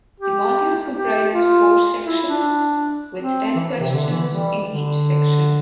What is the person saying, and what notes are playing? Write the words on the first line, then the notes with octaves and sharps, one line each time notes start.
The module comprises four sections, with ten questions in each section.
G4
G4
F4
E4
D4
C4
E3
C3
D3
E3
G3
D3